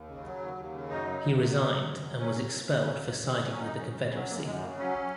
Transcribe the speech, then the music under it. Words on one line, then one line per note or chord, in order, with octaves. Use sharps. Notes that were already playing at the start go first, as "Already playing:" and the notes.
He resigned and was expelled for siding with the Confederacy.
Already playing: D#2
C#3
F#3
D#2
D#2
C#3
F#2 D#4
F#3
F#2
F#3
F#2
F#3
F#2
F#3
F#3 C#4
D#2
D#2
C#3 A#3
F#3 C#4
D#2
A#3
D#2
D#4
C#3
F#3 C#4
F#2 D#4
F#2 C#4
C#3
F#3 C#4
F#2 A#3
F#2 G#3
C#3 A#3
F#3 C#4